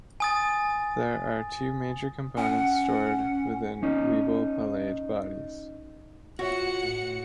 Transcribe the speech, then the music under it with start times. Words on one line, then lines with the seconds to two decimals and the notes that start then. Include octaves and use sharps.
There are two major components stored within Weibel-Palade bodies.
0.20 G#5 D#6 A6
2.37 C#4 F#5
3.83 C#4 D#4
6.39 F4 F#4 C#5 E5 F#5 C#7
6.83 A2